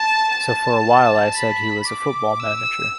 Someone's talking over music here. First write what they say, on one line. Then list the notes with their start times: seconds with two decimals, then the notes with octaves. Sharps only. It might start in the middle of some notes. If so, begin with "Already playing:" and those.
So for a while I said he was a football manager.
Already playing: A5
0.31 A5
1.35 B5
1.88 D6
2.40 E6